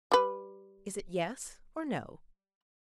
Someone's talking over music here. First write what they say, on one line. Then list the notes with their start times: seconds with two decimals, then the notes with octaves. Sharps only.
Is it Yes or No?'
0.12 G3 B4